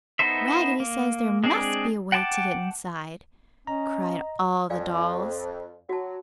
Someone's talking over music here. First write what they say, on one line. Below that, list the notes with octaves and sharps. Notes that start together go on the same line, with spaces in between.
"Raggedy says there must be a way to get inside!" cried all the dolls.
B3 D#4 A4 C5 E5
A#3
G#3 C4 D4 G#4 D5
F#5 G5 A5 B5 D6
C#4 D#5 A#5
F2 D5 F5 G#5
F#3 F#4 A5